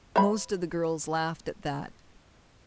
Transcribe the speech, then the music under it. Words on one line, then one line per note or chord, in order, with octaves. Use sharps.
Most of the girls laughed at that.
C5 E5 B5